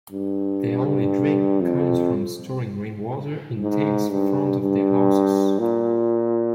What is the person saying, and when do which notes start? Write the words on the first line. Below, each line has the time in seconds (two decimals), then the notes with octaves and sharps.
Their only drink comes from storing rain water in tanks front of their houses.
0.12 G2
1.61 F2
3.60 G#2
4.11 G2
4.60 G2
5.59 A#2